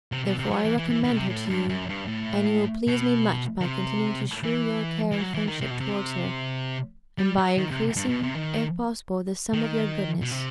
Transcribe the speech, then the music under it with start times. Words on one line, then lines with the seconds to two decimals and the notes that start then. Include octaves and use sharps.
Therefore I recommend her to you, and you will please me much by continuing to shew your care and friendship towards her, and by increasing, if possible, the sum of your goodness.
0.12 C3
0.25 B2
0.39 C3
0.51 F#3
0.64 E3
0.77 E3
0.90 E3
1.04 D#3
1.11 B2
1.16 C3
1.29 A2
1.50 G2
1.69 F#2
1.89 G2
2.07 A2
2.87 B2
3.61 D#3
3.65 C3
4.43 E3
5.12 E3
5.21 F#3
5.34 E3
5.47 D#3
5.61 C3
5.71 B2
5.80 C3
7.18 G3
7.38 F#3
7.57 D#3
7.71 C3
7.96 G2
8.09 B2
8.23 C3
8.35 D#3
9.53 D#3
10.22 B2
10.31 C3